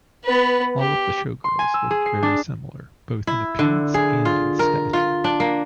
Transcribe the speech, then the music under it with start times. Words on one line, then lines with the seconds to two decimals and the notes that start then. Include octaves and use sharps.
All of the showgirls looked very similar, both in appearance and in stature.
0.24 B3 B4
0.79 G4
1.44 C6
1.59 G#5
1.74 E6
1.91 G#4
2.06 C7
2.23 D4
3.27 E4
3.59 D3
3.94 G#4
4.25 F4
4.59 A#4
4.93 F4
5.24 D4
5.40 A#3